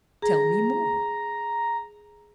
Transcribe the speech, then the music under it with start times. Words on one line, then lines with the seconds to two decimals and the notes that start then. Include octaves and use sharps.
Tell me more.
0.22 G#4 A#5